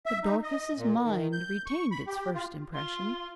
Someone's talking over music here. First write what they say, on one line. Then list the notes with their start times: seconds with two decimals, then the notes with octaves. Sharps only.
But Dorcas's mind retained its first impression.
0.06 E5
0.23 D#4
0.43 D#5
0.78 A#2
1.05 D#3
1.32 G6
1.66 C#6
1.91 B5
2.07 G4
2.34 F4
2.74 F4 C6